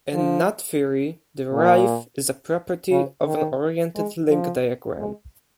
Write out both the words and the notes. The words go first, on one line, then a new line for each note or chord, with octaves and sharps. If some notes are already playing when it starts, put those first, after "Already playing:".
In knot theory, the "writhe" is a property of an oriented link diagram.
F3
A#2
C#3
D#3
G#3
F3
G#3